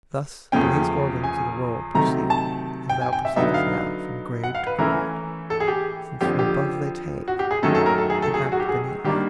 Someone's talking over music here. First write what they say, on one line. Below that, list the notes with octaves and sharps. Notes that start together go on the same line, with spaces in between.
Thus do these organs of the world proceed, As thou perceivest now, from grade to grade; Since from above they take, and act beneath.
E2 C#3 F3 A3 C#4 G5
G#5
C3 D#3 F#3 A3 A#5
A5
G5
G#5
G5
E5
D3 F#3 B3 D#4 E5
F5
F#5
F5
B4
E3 A3 C#4 E4 A#4
A4
G#4
G4
F2 D3 F3 G4
G4
F#4
G4
G#4
F#2 D#3 F#3 A3 C#4 A4
A4
A#4
A4
G#4
A4
G#4
F#4
G4
G#4
D#3 G3 A#3 D4 G4